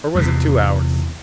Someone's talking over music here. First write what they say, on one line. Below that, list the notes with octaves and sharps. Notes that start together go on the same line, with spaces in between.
Or was it two hours?
E2 C3